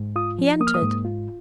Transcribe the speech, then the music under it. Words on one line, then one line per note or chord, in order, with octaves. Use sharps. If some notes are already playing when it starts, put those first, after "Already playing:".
He entered.
Already playing: G#2
F4 D#6
F3
A#3 D#6
F6
D#6
G#2
F4